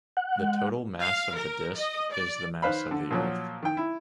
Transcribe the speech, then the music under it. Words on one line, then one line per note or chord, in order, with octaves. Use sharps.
The total mass of the disk is the mass of the Earth.
F#5
G#3
F5
A#4
D#5
D5
D#3 B4 C5 F5 B5
D3
A#2 F3 F#3
D#3 G5
E4